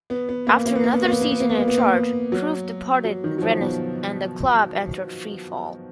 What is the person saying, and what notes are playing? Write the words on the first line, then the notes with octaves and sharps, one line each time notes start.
After another season in charge, Prouff departed Rennes and the club entered free-fall.
B3
B3
A#3
A#3
B3
A#3
B3
A#3
B3
A#3
B3
A#3
B3
A#3
B3
A#3
F#3
F#3
D#3
F#3
F3
B2